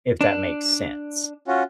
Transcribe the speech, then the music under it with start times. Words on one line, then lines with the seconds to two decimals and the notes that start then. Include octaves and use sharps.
if that makes sense.
0.21 D4
1.48 C#4 F4 F#4